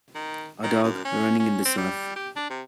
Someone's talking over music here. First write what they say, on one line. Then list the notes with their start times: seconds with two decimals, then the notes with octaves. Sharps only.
A dog running in the surf.
0.15 D#3
0.63 D#3
0.84 F#2
1.05 C#4
1.40 C#4
1.65 C4
1.77 G3
2.16 G4
2.36 D4
2.50 C3